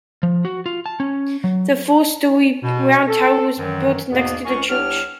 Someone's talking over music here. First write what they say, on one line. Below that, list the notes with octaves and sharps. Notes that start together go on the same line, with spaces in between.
The four-storey Round Tower was built next to the church.
F3
F#4
F4
A5
C#4
F#3
B2
A4
F#2 D#3 E3 F#3
E2 G#2 B2 A#3 B3
C#2 C#4 A#4 C#6
C2 B3 D4 G4 C#5 F6